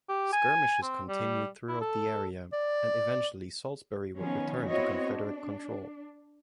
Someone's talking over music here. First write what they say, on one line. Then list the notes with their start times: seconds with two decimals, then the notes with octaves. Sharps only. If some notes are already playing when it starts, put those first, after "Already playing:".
Skirmishes continued throughout the area, and eventually Saulsbury would return to Confederate control.
0.09 G4
0.32 G#5
0.83 C4
1.08 G3
1.68 E4
1.81 A4
2.53 D5
4.17 D#3 F3 B3 C#4
4.69 B3 C4 E4 F#4 C#5 D#5
5.06 D4